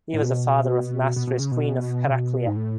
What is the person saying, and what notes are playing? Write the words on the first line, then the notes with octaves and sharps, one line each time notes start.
He was the father of Amastris queen of Heraclea.
A2
B2
B2
B2
C#3
B2
C#3
B2
G#2
A2